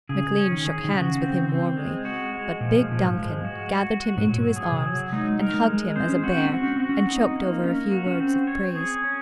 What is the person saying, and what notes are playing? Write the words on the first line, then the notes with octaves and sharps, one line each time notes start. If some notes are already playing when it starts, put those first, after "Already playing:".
McLean shook hands with him warmly, but big Duncan gathered him into his arms and hugged him as a bear and choked over a few words of praise.
C#3 G#4
C#4
D#3
G#4
D#3
C#3 F#4
C4
C4
G#3
F#4
G#3
A#2 F3
A#2 F3
G#2
G#3
F#4
F#4
F#4
G#2
A#2 F#3
G#4
C3
F#3
G#3 D#4
A#4
G#3
G#3
C4 C5
C#4
C4 F#4
C#4
C4 F#4
C#4
C4 F#4
C#4
C4 D#4
A#3
C#4 A#4
F#4
C#4
C4
C#5
G#4
C#4